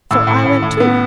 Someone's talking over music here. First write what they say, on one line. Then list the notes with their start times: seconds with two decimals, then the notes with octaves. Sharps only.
So I went too.
0.11 A2 E6
0.27 A2
0.46 A2
0.63 A2
0.80 B3